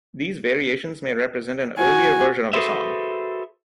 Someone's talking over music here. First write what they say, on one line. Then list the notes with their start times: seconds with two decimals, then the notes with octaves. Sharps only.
These variations may represent an earlier version of the song.
1.78 F#4 G#5
2.53 F#4 G#4 A4 B4 C5 E5